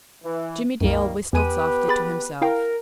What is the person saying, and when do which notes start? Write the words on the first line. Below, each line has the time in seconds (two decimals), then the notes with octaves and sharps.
Jimmie Dale whistled softly to himself.
0.24 E3
0.81 C2 F#2 D#3 G3 A#3
1.33 E2 B3 G4 B4 G#5 D#7
1.88 G#4 B5 A6
2.42 E4 A#4 F5 G5